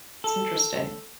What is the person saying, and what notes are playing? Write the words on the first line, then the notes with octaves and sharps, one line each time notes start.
it's interesting.
A4